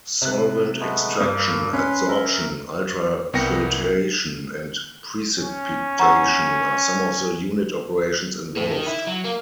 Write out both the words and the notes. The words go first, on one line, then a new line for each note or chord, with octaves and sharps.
Solvent extraction, adsorption, ultrafiltration, and precipitation are some of the unit operations involved.
C3 F#6
G#3 A3 B3
G2 A#3 D#6
C#4 B4 C6
A#4 E5
C2 B3 A#4 G5 A#6 C#7
C#4
F#5 A#5 C#6 E6
A2
D#3
E4
F#3
A#3